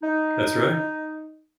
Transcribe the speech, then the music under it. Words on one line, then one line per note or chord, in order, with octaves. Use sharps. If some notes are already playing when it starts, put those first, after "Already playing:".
that's right.
D#4